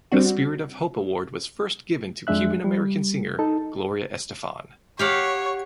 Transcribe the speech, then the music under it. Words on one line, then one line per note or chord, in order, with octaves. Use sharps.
The Spirit of Hope Award was first given to Cuban American singer Gloria Estefan.
G3 C4 D4 F#4
F2 G#3 D4 E5 F#6
G3
D#4 A4 A5
G4 C#5 F5 F#5